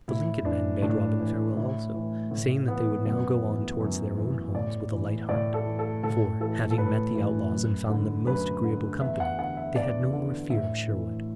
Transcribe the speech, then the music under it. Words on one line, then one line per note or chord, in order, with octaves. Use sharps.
The Lincoln men bade Robin farewell also, saying that they would now go on towards their own homes with a light heart: for, having met the outlaws and found them most agreeable company, they had no more fear of Sherwood.
A2 E4
E3 D4
A2 D4
E3
A2 E4
E3
A2
E3 B3
F#2 B3
E3
F#2
E3
A2 D5
E3
A2 D5
A4
E3
A4
A2 A4
E3 A4
A4
A2 B4
E3
F#2
D3
F#2 B4
D3
E2 E5
F#5
D3 F#5
E5
E2 D5
D3
A2 E5
E3